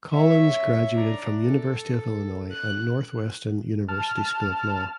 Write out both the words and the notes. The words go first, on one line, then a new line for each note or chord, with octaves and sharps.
Collins graduated from University of Illinois and Northwestern University School of Law.
C#5 E5
D4 A#5
A4
F#6
A5 F6